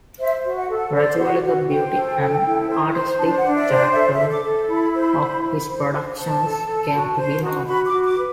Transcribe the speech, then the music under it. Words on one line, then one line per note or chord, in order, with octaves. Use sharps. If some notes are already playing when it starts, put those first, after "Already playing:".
Gradually the beauty and artistic character of his productions came to be known.
C5 E5
F#4
F#5
A4
F#5
C5 D5
F#4 F#5
F#4 F#5
C5 G5
A4
A4
E4
C5
C5
D4 A5
F#5
D4
E5
C5
D5
A4 E5
E5
A4
D6
A4
E4 B5
C5
E4
C5
C5
C5
C5 A5
A4
A4
F#4
C5
F#4
F#4 B5
D6
F#4
D6
B4